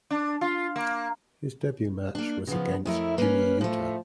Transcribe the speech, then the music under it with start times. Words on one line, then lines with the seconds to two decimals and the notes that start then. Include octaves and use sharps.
His debut match was against Jimmy Yuta.
0.10 D4
0.41 F4
0.76 A#3
2.15 A#3 D4
2.47 C#3 F3 B3
2.86 F2 A3 E4 A#4
3.18 A#3 C#4 B4
3.61 A2 F3 A3